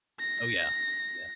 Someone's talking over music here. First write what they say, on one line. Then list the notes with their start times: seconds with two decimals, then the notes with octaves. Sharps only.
Oh, yeah, oh, yeah.
0.20 A#6